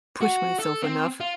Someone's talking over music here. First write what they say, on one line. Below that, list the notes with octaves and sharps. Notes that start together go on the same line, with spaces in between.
push myself enough.
F#4
A4
C4
F4